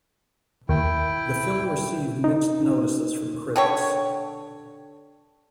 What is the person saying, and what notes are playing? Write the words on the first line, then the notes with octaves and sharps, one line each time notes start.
The film received mixed notices from critics.
D#2 E4 G5
D#4
D3 G4 C#5